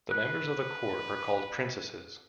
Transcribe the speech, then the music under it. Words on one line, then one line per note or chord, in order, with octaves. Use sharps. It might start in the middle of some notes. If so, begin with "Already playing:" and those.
The members of the court are called princesses.
B4 F#6